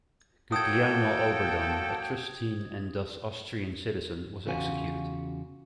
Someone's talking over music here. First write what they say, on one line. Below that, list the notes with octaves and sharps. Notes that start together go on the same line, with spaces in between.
Guglielmo Oberdan, a Triestine and thus Austrian citizen, was executed.
F#3 A#3 A4 G5 D#6 G#6
E2 C#3 F4 F#4 G#5